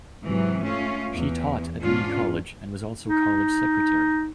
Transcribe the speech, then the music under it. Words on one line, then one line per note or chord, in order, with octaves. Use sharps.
She taught at Reed College and was also college secretary.
G#2 C3 E3 F#3
A3 C#4 F4
E2
G#2 C#4 D4 F4
D#4